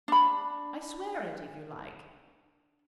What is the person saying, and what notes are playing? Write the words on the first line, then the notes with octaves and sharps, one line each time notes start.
I swear it, if you like.
D4 B5